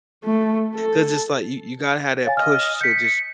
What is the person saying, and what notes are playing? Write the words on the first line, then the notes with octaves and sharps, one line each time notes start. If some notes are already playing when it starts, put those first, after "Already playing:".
'Cause it's, like, you you gotta have that push to just
A3
A4
C#5 F5 G#5 A6
D#5 F6
G6 B6 C#7